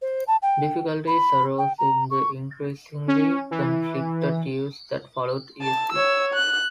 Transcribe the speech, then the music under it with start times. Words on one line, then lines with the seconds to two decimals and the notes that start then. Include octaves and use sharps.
Difficulties arose in the increasingly conflicted years that followed, esp.
0.02 C5
0.28 A5
0.42 G5
1.07 B5
1.58 G5
1.78 A#5
2.10 C#6
3.08 C#4
3.51 E3
5.61 A5
5.92 C#5 E6
6.34 F#6